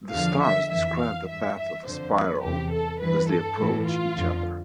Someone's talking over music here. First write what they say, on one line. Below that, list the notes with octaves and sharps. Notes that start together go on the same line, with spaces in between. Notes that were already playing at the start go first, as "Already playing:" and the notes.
The stars describe the path of a spiral as they approach each other.
E2 D3 F3 F5
E5
F2 E3 E5
F5
G2 E3 E5
E5
F2 D3 F3 C5
B4
E2 C3 E3 G4
A4
G2 E3 B4
A4
A2 E3
F4
F2 D3 F3